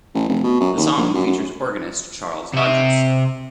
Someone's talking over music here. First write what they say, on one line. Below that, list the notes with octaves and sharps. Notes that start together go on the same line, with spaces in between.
The song features organist Charles Hodges.
A1
F1
B2
F#2
D#2
A#1
F#2
F#2
C3 E5